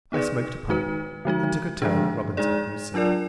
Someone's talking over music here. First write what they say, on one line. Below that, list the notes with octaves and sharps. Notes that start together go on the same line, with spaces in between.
I smoked a pipe and took a turn at ROBINSON CRUSOE.
B3 D#4 G#4 B4 D5
D#3 G#3 D#4 F#4 B4
D3 F3 G#3 D#4 F#4
D3 F3 G#3 D4 G#4
G#3 D#4 G#4 D5
F#3 D4 F4 A#4 D5